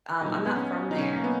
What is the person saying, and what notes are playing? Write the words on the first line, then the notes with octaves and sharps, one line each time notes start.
um, I'm not from there,
A#2 F#3 D#4
B3
C#4
B2 F#3 D#4
C#4
A#3
B3